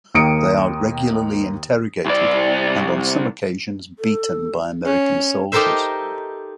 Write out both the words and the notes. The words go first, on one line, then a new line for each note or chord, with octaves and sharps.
They are regularly interrogated, and on some occasions beaten by American soldiers.
D#2 D#3 A#3 D#6 C#7 D7
C2 D5
A4
C#4
D#4 G4 A4 A#4 C5 E5